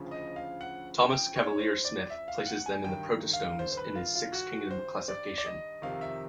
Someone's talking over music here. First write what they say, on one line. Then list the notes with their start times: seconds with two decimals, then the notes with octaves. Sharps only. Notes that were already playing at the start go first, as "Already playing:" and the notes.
Thomas Cavalier-Smith places them in the protostomes in his "Six Kingdom" classification.
Already playing: D2 C#3 F3
0.11 D#5
0.36 F5
0.61 F#5
1.10 G5
1.36 C#5
1.59 C5
1.85 D5
2.10 E5
2.28 F5
2.46 F#5
2.66 G#5
2.84 G2 D#3 G5
3.33 F5
3.59 C5
3.72 C5
3.77 B4
3.96 F4
4.15 F4
4.33 F#4
4.71 C5
5.08 D5
5.38 D5
5.46 D#5
5.82 F2 C3 D#3 F5
6.01 E5